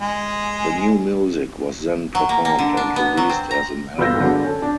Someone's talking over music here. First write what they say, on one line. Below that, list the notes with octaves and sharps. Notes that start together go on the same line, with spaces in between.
The new music was then performed and released as an album.
G#3
F#3
A#3
A#3
D3
D4
B3
F#3
C4
A#5
G1 B3 F4 E6 G6 A#6
D3 F#3 G#3 B3 D4
C#4 A4
D4